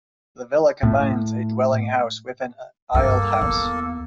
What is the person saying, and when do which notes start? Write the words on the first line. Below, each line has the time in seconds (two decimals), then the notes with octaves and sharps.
The villa combines a dwelling house with an aisled house.
0.83 A2
2.94 G2 A#3 A4
3.41 E2 B3